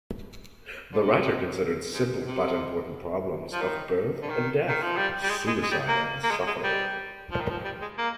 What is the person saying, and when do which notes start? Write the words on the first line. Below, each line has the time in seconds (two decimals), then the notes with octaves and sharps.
The writer considered simple but important problems of birth and death, suicide and suffering.
0.93 D3
1.02 C3
1.11 A#2
1.19 C3
1.93 G#2
2.27 C3
3.53 F3
3.61 D#3
4.22 D3
4.29 D#3
4.68 D#3
4.82 F3
4.97 G3
5.23 G3
5.30 G#3
5.47 G#3
5.63 G#3
5.71 G3
5.88 A#3
6.23 A#3
6.31 G#3
6.47 G#3
6.63 G3
7.31 F3
7.40 D#3
7.50 F3
7.64 G3
7.82 G#3
7.98 A#3